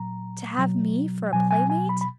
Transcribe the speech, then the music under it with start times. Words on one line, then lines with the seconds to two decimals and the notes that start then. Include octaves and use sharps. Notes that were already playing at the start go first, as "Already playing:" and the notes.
"To have me for a playmate?"
Already playing: A#2 F#3 A#5
0.57 B2 F#3
1.33 B2 F#3 G#5
1.51 G#5
1.70 G#5
1.89 B5
2.01 B5